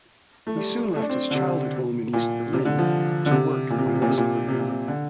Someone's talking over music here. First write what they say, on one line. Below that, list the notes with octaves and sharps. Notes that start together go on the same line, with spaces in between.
He soon left his childhood home in East Berlin to work in West Berlin.
A3
G3
A3
D4
C4
D3
C3
A#2
C3
D3
F3
D3
C3
A#2
C3
A#2
C3
A#2
C3
A#2
C3
A#2
C3
D3